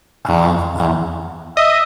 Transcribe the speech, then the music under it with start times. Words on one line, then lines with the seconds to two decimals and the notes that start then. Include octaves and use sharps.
I'll I'll
1.57 D#5 E5